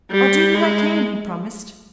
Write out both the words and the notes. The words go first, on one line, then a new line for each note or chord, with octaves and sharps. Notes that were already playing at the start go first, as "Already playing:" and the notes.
"I'll do what I can," he promised.
G3
G#3